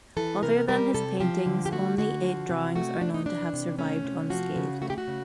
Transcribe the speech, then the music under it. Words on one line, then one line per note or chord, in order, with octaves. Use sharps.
Other than his paintings, only eight drawings are known to have survived unscathed.
E3 A4
C3 A#4
G3 A#4
C3 A4
F3 G4
D3
G4
A3 F#4
D3 F#4
F3
C3
A3 F#4
C3 D4
D#4
E3 D4
C3
A3 C#4
C3
F3 F#4
C#3
A3 F#4
G4
F#4
C#3